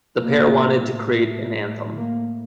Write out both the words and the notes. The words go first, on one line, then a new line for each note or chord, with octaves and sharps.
The pair wanted to create an anthem.
A2 A#3
A#3